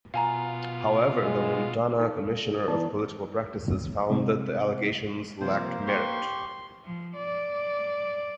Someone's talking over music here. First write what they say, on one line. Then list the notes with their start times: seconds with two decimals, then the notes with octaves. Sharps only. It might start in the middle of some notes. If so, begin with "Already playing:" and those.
However, the Montana Commissioner of Political Practices found that the allegations lacked merit.
0.14 B2 F4 F5 G#5 A#5
1.20 G#3
2.00 D#4 A4 F5
2.17 A4
2.45 G#4
2.68 E3 B3 D#4 E4 D5 A5
4.10 C3 G#3 C4
5.41 C3 F3 A#3 C5
5.87 G4 C5 C6 C#6
6.85 F3
7.17 D5